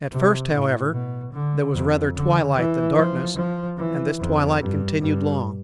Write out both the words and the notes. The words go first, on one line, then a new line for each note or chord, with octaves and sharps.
At first, however, there was rather twilight than darkness, and this twilight continued long.
C3
A2
B2
D3
F2
D3
E3
F3
F3
E3
F2
G2
G2